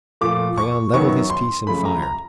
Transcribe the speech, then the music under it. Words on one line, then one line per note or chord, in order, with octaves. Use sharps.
Crayon leveled his piece and fired.
A#2 F3 A3 D6
C#6
F#2 D#3 F#3 B3 C#6
C6
F#2 C#3 F3 A3 B5
A#5
A#5